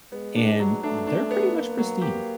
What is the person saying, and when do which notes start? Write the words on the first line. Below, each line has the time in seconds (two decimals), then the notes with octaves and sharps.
and they're pretty much pristine.
0.12 G#3 B3
0.36 D4
0.59 F#3
0.83 A3 D4
1.07 D4
1.31 B3
1.54 A#3 B3
1.78 F#3
2.02 G4